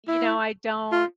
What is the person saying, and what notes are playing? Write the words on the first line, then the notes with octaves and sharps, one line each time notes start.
you know, I don't
E4
F4